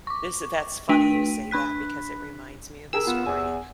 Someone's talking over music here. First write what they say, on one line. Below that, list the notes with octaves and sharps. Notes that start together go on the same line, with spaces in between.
Listen, that's funny you say that because it reminds me of the story.
C#6 D6
A3 D4 G5 B6 D7 D#7
D4 B5 F#6 B6
G4 G#4 A#4 E6
B3 F4
E2 G#5